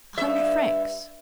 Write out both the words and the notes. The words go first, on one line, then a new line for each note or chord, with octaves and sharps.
"A hundred francs."
G2 E5